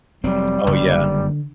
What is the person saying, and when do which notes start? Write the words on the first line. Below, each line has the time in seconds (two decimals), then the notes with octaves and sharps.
Oh, yeah.
0.24 F1 F#3 G3 C4
0.67 F#1 G2 D3